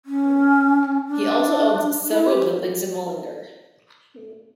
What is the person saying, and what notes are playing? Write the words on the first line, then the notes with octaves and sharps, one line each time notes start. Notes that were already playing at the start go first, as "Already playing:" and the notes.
He also owns several buildings in Mullingar.
C#4
D4
E4
G4